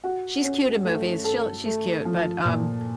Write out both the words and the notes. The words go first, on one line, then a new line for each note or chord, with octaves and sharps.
She's cute in movies. She'll she's cute. But, um,
F#4
C#4
A3
A4
A3
F3
A#2